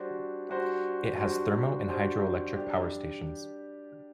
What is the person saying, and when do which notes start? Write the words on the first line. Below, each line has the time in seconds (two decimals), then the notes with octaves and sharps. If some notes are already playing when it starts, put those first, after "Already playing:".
It has thermal and hydroelectric power stations.
Already playing: G3 D4 F#4 C5
0.49 G3 D4 F#4 C5
1.18 G3 D4 F#4 C5
1.87 G3 D4 F#4 C5
2.56 G3 D4 G4